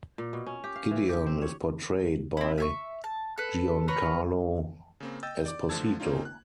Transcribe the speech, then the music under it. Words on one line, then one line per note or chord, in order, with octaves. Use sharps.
Gideon is portrayed by Giancarlo Esposito.
A#2
B2
C#4
G4
F5
E3
G4
C4
C#5
C4 E4
E5 G#5 C#6
A5
A4 B4
A#4 B4 C#5
C#3 A#3 C4
D#5 G5 E6 G6 A6
D5 D6
D3 F3 A3 A5 E6 G#6
A#3 C4 C#4 D#4 F4
F#6